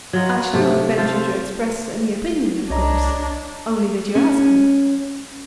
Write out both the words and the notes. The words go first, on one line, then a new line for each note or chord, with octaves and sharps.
"I should not venture to express any opinion, of course,--only that you ask me."
F#3 F4 D#5
C3 A3
F4 A4 C5 F5
C2 D4 C#5 D#5 A#5
C#4